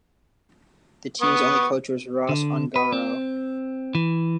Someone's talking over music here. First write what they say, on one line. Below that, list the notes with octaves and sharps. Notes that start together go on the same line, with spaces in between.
The team's only coach was Ross Ongaro.
B3 C#6 D#6
D3
B4
C4
E3